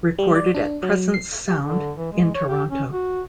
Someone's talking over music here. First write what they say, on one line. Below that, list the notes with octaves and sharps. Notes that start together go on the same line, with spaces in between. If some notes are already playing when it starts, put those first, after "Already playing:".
Recorded at Presence Sound in Toronto.
G3
D5
D4
F#3
C7
G4
D3
E3
G#3
C#5
G4
C#4
F#4